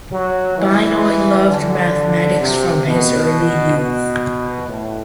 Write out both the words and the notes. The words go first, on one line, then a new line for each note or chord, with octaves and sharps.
Binoy loved mathematics from his early youth.
F#3
E3
D3
C3
B2
B2
A2